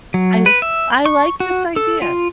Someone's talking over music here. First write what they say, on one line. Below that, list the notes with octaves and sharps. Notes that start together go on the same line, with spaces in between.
I I like this idea.
F#3
B4
E5
C#6
F#4
A4
F4